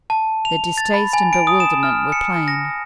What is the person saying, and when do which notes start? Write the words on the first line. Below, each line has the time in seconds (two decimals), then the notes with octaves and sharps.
Their distaste and bewilderment were plain.
0.10 A5
0.45 F7
0.78 A6
0.94 B5
1.13 G#5
1.33 D7
1.47 D#6
1.60 E7
1.83 F6
2.12 C#7
2.48 A#6